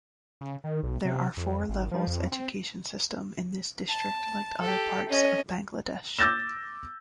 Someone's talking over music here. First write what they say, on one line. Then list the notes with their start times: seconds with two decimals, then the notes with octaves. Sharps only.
There are four levels education system in this district like other parts of Bangladesh.
0.41 C#3
0.64 D#3
0.83 B1
1.05 C3
1.37 F2
1.69 G#1
1.91 F3
2.07 F2
2.32 C4
3.89 A5
4.61 G4 A4
5.09 C#4 D#5
6.19 D6 E6 G6 A6 A#6 E7